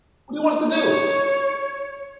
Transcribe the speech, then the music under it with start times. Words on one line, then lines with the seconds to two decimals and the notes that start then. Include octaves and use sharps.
What do you want us to do?
0.70 C#5